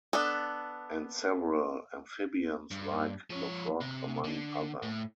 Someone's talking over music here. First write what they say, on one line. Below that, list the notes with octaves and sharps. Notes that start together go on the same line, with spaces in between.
And several amphibians like the frog, among other.
B3 D4 A4
G2
F3 C#5
C3
D3
A2